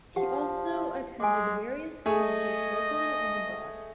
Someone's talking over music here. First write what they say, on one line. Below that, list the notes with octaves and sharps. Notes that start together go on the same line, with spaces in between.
He also attended various courses locally and abroad.
F3 G4 F#5
G#3 G#5 D6
A3 G#4 D#5